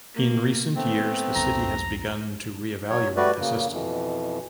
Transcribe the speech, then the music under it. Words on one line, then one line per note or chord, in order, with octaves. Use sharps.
In recent years, the city has begun to re-evaluate the system.
A#3
A3 B3 C4
C2 F2 A#5
F#3 C#5
G3 A3 F#4 B4 D5
C#3 A#3
F2 B2 E3